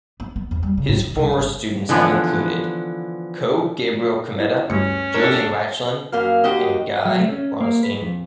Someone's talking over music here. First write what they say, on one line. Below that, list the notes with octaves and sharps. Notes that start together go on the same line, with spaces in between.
His former students have included Koh Gabriel Kameda, Julian Rachlin, and Guy Braunstein.
B3
B3
E2
G3
C#3
A2
F2
C2
G1
D3 E3 F3 B3
E4
D2 G2 C#4 C#7
D4 A4 A#4 C#5
F#2 A#3 A#4 F5
D#2 F#4 G4 A#4 D#5
F#3
A3
C#4
A#3
B4
F2